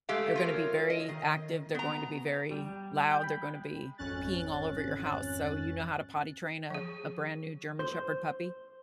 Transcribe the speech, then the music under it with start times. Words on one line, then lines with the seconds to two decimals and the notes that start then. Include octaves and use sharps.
they're gonna be very active, they're going to be very loud, they're gonna be peeing all over your house, so you know how to potty train a a brand new German Shepherd puppy?
0.09 G#3 A3 G4 A4 F5
0.36 F4 A#4 C#5
0.90 D#5
1.09 D#3
1.75 B3 A#5
2.51 G3
3.12 G5
3.24 B5
3.40 G#3
3.98 G#1 F2 C#4 F#6 A6
6.70 F3 G#4
7.79 C5